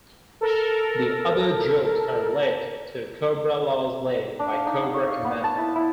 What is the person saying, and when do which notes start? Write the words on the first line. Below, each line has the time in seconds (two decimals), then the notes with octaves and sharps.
The other Joes are led to Cobra-La's lair by Cobra Commander.
0.41 A4 A#4
4.39 D4
4.53 F5
4.66 D#4
4.83 F#5
4.94 C#5
5.07 F5
5.25 B3
5.44 A5
5.58 E4
5.76 E4